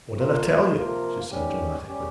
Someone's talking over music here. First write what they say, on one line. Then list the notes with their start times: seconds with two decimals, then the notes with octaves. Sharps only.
"What did I tell you?" she said dramatically.
0.17 C3 F3 A#3 F4 A#4
0.74 C3 F3 A#3 F4 A#4
1.31 G#2 G3 C#4 G4
1.88 G3 C#4 G4